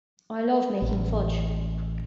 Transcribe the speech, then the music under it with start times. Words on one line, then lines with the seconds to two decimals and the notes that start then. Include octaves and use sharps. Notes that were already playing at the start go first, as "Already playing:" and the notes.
I love making fudge.
0.82 A1